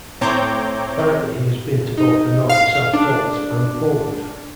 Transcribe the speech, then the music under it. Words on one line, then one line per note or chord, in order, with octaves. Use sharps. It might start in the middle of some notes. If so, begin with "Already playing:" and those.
Apparently he has been to both the North and South poles, and Poland.
A2 C4 C#5 A#5 D6 G6
D#4
F5
D4